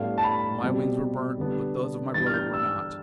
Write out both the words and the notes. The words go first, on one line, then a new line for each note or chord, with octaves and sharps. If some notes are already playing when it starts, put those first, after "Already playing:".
My wings were burnt, but those of my brother were not....
Already playing: A2 G3 B3 D4 F5
A5
B5
B2 G3 C4
D3 G3 B3 D4
E3 G3 B3 D4 A6
F6
G6
E6